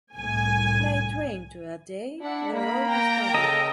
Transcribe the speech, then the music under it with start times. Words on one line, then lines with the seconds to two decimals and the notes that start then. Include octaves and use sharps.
Light rain toady, the road is muddy.
0.17 C2 A2 G#5
2.21 D4 E4 F#5
2.53 A#3 B5
2.88 A#4 G5 A#5
3.34 C#3 A4 D#5